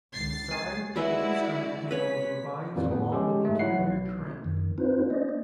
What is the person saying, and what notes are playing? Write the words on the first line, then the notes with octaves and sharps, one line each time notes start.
Inside, the instrument panel was revised along with interior trim.
C#2 A6 C7
G#5
G#3 E4 F#4 B4 D5 E5
B4 C#5 B6
F2 A#2 E3 G3
A2 B3
G#3 C#4 G4 A4
G#2 G#3 A3
F#3 E4 F#5 C7
B1
F#2 D#3
C4 D4 D#4 F4 B4 C5
A#3 C#4 D4 C5 D5 D#5